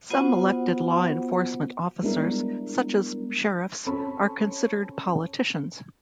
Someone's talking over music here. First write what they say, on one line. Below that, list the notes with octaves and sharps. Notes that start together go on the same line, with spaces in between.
Some elected law enforcement officers, such as sheriffs, are considered politicians.
B3 F4 F#4 C5 F#5
G3 G#3 B3 D4 E4 A#4
C4 C#4 A4 B5